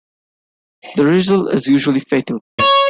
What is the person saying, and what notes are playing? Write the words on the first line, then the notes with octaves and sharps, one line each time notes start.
The result is usually fatal.
C#5